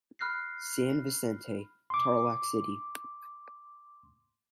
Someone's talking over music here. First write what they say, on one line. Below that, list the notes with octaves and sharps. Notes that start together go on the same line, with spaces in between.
San Vicente, Tarlac City.
B5 F6 F#6 A#6 C7
C6 D6